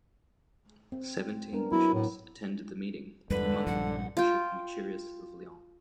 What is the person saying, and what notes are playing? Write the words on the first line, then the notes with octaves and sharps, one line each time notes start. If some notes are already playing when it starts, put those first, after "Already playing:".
Seventeen bishops attended the meeting, among them Bishop Eucherius of Lyons.
C4
B3 D4 A#4
F#3 B3 E4 F#4
A2
E2 G2 D3 G#3 B4
A#1 G2 F3 F#5
F4 G5